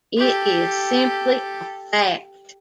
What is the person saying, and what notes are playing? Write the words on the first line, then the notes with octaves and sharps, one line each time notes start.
It is simply a fact.
G4 A4